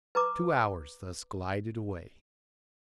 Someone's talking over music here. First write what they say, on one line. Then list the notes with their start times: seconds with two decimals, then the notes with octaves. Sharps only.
Two hours thus glided away.
0.15 B4 A#5 D6